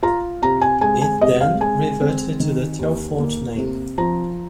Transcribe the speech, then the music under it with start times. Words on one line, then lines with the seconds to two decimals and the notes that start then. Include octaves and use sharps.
It then reverted to the Telfort name.
0.03 F4 A#5
0.42 C3 A#5
0.61 G#5
0.81 G#3 G#5
1.02 G#5
1.21 C3 D#5
1.41 F5
1.60 G#3 G#5
2.00 C4
2.40 D#3
2.79 D#2
3.18 A#3
3.57 C3
3.98 F3 A#5